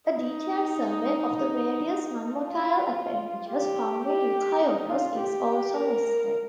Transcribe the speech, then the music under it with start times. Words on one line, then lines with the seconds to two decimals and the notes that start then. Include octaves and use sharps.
A detailed survey of the various nonmotile appendages found in eukaryotes is also necessary.
0.11 D#4
2.36 F4
3.49 G4
4.05 G4
4.62 D#4
4.89 F4
5.18 G4
5.74 A#4